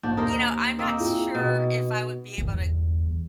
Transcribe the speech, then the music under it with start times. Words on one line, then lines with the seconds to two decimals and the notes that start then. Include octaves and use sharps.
you know, I'm not sure if I would be able to
0.03 A#1 D4 G6
0.17 D#2 D#4 A#4 C5
0.79 A#3 C4 D#4
0.99 E4 F4 G#4
1.35 B2 D#5
2.38 G1 E2